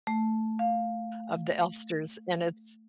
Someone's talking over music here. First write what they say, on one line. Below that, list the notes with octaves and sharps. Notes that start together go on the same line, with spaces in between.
of the Elfsters and it's
A3
F5